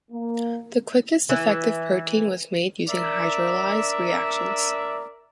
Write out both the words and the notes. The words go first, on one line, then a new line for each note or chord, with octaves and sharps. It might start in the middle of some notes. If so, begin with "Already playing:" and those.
The quickest effective protein was made using hydrolyzed reactions.
A#3
E3
D4 A#4 D5 E5